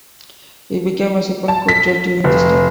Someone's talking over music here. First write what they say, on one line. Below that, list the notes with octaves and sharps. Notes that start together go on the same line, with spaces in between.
He became a supreme court judge during this time.
A5
B6
F1